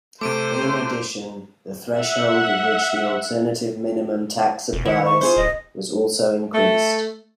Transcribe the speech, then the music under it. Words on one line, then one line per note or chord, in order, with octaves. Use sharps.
In addition, the threshold at which the alternative minimum tax applies was also increased.
C3 A3 C5 D6 D7 D#7
E5 F#5
E1
D#3 E4 F#5
C#6
F4 G#4 C5
D1 D#5
A3